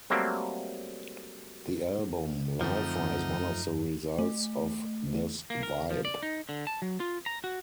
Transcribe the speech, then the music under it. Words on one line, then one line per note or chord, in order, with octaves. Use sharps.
The album 'Lifer' is one of the results of this vibe.
F#3 G3 A3 A#3 C4
F#2 D3 F3 A3 C4 D#4
A3
A#3
A#4
F3
D5
D#4
D3
A5
F#3
F4
A#5
F#4